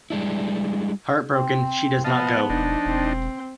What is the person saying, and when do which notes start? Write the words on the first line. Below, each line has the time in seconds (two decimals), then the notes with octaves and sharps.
Heartbroken, she does not go.
0.10 G3 G#3 D4 E4
1.32 C4
2.04 F3 B3 D#5 F5 A5
2.49 E1 D4 D#4
2.86 E1 C4